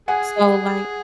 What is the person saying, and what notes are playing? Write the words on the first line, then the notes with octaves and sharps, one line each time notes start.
so like
G#4 F#5 G#5